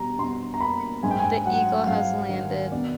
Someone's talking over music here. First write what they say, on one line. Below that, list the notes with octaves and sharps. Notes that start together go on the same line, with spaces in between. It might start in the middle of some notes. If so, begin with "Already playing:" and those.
The Eagle has landed.
Already playing: B2 G3 A#5
B2 C6
A#5
A#3 B5
G#2 G#5
G5
G#5
F#3 F#5
G#2 F5
D#3
B2 D5